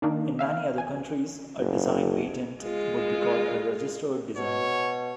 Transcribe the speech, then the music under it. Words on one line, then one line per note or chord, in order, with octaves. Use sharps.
In many other countries, a Design Patent would be called a "registered design".
D#3 A#3 D4 D#4
E5 F5 F6
G#5
F#1
G#3 F4
B2 C#5